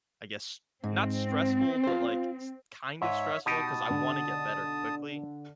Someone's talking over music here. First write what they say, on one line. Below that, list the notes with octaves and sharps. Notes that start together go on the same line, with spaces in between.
I guess, not stressful, but, like, s kind of stressful 'cause I wanna get better quickly
G#2 C4
F4 C5
G#2 C#5 E5
B2 D#4 G4 A5 D#6
D3